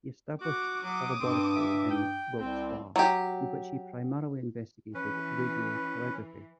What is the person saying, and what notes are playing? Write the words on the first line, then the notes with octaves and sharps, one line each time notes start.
He established a laboratory in Wilkes-Barre, in which he primarily investigated radiotelegraphy.
F#4 D6
F#3 D6 D#6
G2 C4
E5
G5
C2 C4 G5
F#3 G4
E3 C#4 B4